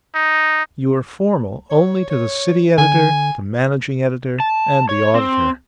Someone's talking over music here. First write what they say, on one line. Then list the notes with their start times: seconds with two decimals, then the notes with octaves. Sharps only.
You are formal only to the city editor, the managing editor, and the auditor.
0.15 D#4
1.70 C#5
2.10 C#5
2.78 D3 G#5
4.40 A5
4.89 C#5
5.14 C4